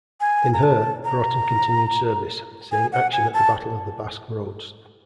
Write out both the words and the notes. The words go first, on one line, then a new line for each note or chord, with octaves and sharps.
In her, Broughton continued service, seeing action at the Battle of the Basque Roads.
G#5
A#5
A5
A#5
G#5
F#5
G#5
A5